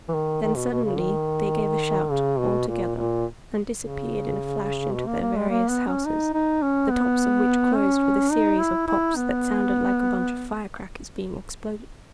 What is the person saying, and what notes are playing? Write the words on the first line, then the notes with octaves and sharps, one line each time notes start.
Then suddenly they gave a shout, all together, and disappeared in a flash into their various houses, the tops of which closed with a series of pops that sounded like a bunch of firecrackers being exploded.
E3
D#3
D#3
B2
B2
C#3
D#3
C#3
B2
A#2
A#2
C#3
B2
A#3
A#3
G#3
A#3
B3
C#4
D#4
D#4
C#4
B3
C#4
D#4
E4
E4
B3